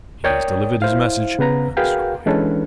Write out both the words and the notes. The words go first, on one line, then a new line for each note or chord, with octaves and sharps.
"He has delivered his message," Ernest cried.
A#4 C#5 D5 G5 D#6
E4 C5 F5
C#3 B3 B4 A#5
F#4 G#4 A#4 B4 F5 G5
E3 G#3 C#4 D4 A4 B4